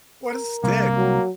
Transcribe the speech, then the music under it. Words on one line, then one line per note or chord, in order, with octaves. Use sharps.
what a stick.
A#4
C2 A#3
F#3